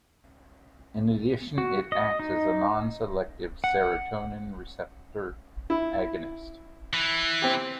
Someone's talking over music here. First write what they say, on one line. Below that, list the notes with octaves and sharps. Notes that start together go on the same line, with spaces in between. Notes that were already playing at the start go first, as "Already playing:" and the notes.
In addition, it acts as a non-selective serotonin receptor agonist.
F#4
D#5
D#4
F#5
E4
E3
C4 G4